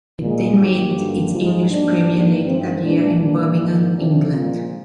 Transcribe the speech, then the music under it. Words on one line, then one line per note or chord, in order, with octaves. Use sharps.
It then made its English premiere later that year in Birmingham, England.
A#2 G#3
G#2 D#3 G3 A#3 G4
G2 D3 G3 A#3
G#2 F3 G#3 F4
G#2 G3 A#3 D4
G#2 D#3 G3 A#3
G2 D#3 G#3 C4
A#2 G#3 D4
A#2 G3 A#3
G#2 D#3 A#3
F2 C3 F3 D4
A#2 F3 G#3 F4